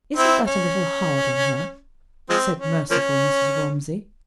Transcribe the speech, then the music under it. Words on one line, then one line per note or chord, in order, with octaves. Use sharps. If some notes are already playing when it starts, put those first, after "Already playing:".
"Isn't that a little hard on her?" said merciful Mrs. Romsey.
C4 E4
C#4
F3 G#3 C4
C#4
F3 A#3 C#4